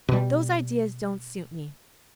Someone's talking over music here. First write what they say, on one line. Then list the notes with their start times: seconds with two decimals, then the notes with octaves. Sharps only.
Those ideas don't suit me.
0.09 B2 G3